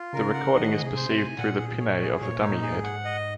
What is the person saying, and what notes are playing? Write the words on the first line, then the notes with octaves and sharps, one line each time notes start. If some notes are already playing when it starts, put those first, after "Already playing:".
The recording is perceived through the pinnae of the dummy head.
Already playing: F4
C#3 A#4
F#5
D#3 D#5
G#4
C3
C5
C3
G#5
A#2 F#5
G#4
C#5
G#4
A#2 C#5
D#4
A#2
G#4
G#2
F#5
D#5